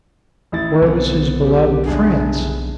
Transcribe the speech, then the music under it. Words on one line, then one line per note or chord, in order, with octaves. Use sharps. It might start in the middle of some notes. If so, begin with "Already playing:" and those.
Where was his beloved France?
A1 E4 A6
B1 D3 B3 C4
G4
F#1 C2 D4 G#4